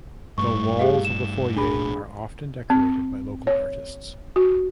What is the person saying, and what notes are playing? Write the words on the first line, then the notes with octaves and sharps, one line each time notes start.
The walls of the Foyer are often decorated by local artists.
G2 A3 C#6
G4 G#4 F5
E7
B1 A2 D4 G#4 B5
C4
C#5
F#4